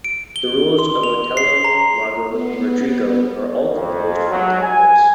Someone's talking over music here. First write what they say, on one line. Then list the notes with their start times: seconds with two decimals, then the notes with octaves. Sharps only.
The roles of Otello, Iago, and Rodrigo are all composed for the tenor voice.
0.04 D7
0.36 G7
0.79 C6
1.03 F7
1.37 C7
1.64 A#5
2.28 B3
3.69 F2
4.30 F#3
4.62 G#5